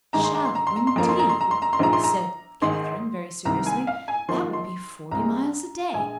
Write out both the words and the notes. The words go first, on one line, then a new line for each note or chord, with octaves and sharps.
"Shall you, indeed!" said Catherine, very seriously: "that will be forty miles a day."
G#1 G#2 D#3 G#3 A#5
C6
A#5
C6
A#5
C6
A#5
C6
F2 F3 A#3 A#5
C6
A#5
C6
A#5
C6
A#5
C6
A#1 G#2 F3 G#3 A#5
C6
A#5
G#1 G#2 D#3 G#3 C6
C2 C3 D#3 A#5
G#5
F5
G#5
G#1 G#2 F3 A#3 C6
C6
C2 C3 G#3 A#5
A#1 G#3 G#5